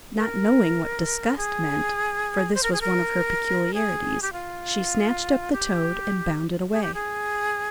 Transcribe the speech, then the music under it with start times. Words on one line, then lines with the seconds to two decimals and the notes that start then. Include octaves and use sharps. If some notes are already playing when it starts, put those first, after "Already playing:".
Not knowing what disgust meant, for this was one of her peculiarities, she snatched up the toad and bounded away.
0.17 A#4
1.37 G#4
2.54 C5
2.63 A#4
2.73 G#4
2.81 A#4
3.74 G#4
4.22 G4
4.33 F4
5.52 G4
6.71 G#4
6.83 G4
6.94 G#4